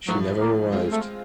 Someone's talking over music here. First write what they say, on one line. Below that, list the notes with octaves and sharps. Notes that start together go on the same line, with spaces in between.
She never arrived.
A2 F3 F#3 A3
A#3
G#3 C4 F4
A3